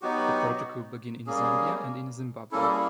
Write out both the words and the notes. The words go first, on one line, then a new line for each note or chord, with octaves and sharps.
The project will begin in Zambia and in Zimbabwe.
F#3 B3 D#4 F#4 G4
G3 A#3 C#4 G#4
G3 A#3 C#4 E4 A4
A4
G#4